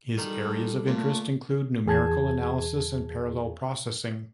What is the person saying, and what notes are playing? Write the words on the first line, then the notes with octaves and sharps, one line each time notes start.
His areas of interest include numerical analysis and parallel processing.
D#3 G3 A4
A#2 A3
E2 G#4 A5 G#6